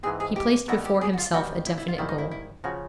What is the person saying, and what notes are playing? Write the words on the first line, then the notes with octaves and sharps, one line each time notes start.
He placed before himself a definite goal.
G#2 E3 G#3 C4 G#4
G#4
G4
D#3 G3 B3 E4 F#4 A4
G4
G#4
F#4
F4
D#2 D#3 G3 F#4
E4
E4
F4
G#2 D#3 G3 E4
D#4
E4
E4
C#3 F3 F#4